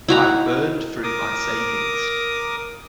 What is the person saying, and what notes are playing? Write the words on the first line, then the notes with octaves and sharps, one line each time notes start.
I burned through my savings.
D#4 E4 F#4 A#5
A#4 D6 D#6